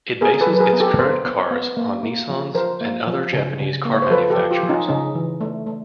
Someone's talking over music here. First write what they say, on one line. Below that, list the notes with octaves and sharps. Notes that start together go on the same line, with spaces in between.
It bases its current cars on Nissans and other Japanese car manufacturers.
B3 G#4 A#4
A4 B4
F#3
B4
G#4 A#4
B3
G4 A4
B3 A#4 C5
B3
B3
A#3
A#3
F3
F3 A#4 C5
A#3
F3
C#3
C#3
A#3
C#5
C5
F3 A4 B4
G4 A4
F3
F4 G4
F3
C#4 D#4
C#3 C#4 D#4
E3
A3
A3